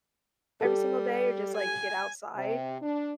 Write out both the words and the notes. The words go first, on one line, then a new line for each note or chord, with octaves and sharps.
every single day or just, like, get outside
G3 G4 A4
G#5
C3
D4